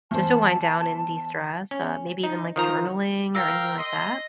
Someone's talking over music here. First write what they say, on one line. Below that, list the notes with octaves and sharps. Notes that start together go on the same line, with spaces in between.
just to wind down and destress? Uh, maybe even, like, journaling or anything like that.
E2 C5 A5
C#4
D#4
D#3 F3 A#5
A#4 F5 G5 E6 A#6
D#5 C6